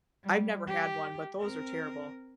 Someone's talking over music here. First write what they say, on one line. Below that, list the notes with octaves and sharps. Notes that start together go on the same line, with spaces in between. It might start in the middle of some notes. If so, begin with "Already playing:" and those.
I've never had one, but those are terrible.
G3
G4
C4 A#4